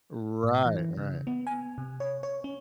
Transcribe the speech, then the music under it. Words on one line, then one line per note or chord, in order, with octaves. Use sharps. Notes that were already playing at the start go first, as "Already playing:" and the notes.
Right, right.
A2
E3
C#3
B3
G#5
C3
C#5
C#5
C#4